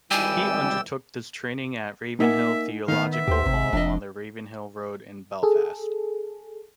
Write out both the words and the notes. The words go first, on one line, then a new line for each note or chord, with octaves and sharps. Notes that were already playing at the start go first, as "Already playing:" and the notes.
He undertook this training at Ravenhill Theological Hall, on the Ravenhill Road in Belfast.
G#1 E3 G3 D5 G5 G#5 E6
A#3 D#4 E5 F#5 G#5
D#3 B3 D#4 F5
E5
D#2 G4 C5
G#1 C3
F1 F2 D4 D#5
G#4 A4